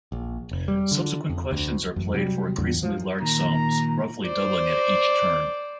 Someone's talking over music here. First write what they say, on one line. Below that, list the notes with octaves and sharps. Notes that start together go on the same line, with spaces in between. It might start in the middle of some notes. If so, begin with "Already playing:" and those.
Subsequent questions are played for increasingly large sums, roughly doubling at each turn.
A#1
F1
G3
D3
F2
D2
A1 F#2
C3 F#3 G3
E2 A2 D3 G3
F3 F#3
A#2 D#3 A#5
C5 D5